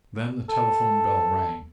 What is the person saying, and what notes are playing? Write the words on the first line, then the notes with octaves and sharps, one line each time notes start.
Then the telephone bell rang.
A4